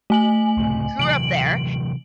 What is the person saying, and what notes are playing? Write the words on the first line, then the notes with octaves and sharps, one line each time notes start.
grew up there,
A3 G#5 F#7
C#2 A2 C3
C3 E3 F#3 D7 F#7